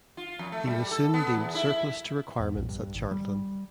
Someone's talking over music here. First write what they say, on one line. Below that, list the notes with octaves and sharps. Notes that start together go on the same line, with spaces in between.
He was soon deemed surplus to requirements at Charlton.
F4
F2
A3
G3
A4
B3
E2
E4
E2
A#1
G2
G#1
G3